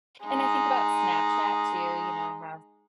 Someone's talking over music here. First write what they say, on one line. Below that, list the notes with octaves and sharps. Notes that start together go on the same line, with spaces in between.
and I think about Snapchat, too, you know, I have,
G#3 D#4